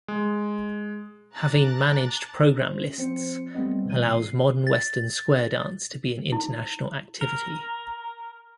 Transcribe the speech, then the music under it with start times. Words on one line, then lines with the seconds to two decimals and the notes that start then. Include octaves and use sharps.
Having managed program lists allows modern Western square dance to be an international activity.
0.08 G#3
1.32 A5 A#5 D6 F#6 A6
2.58 C#4 C5
2.98 F3 C4 C5 C#7
3.54 G3 A3 B3 C4 D#5
3.85 B2 E3 D#7
4.09 C7
4.67 A6
6.32 E4
7.21 A#4